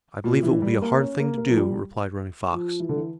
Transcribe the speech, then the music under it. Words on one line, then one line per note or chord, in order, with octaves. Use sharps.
"I believe it will be a hard thing to do," replied Running Fox.
A#2
E3
G3
A#3
C#4
A#3
A#3
F3
G3
F3
E3
D3
E3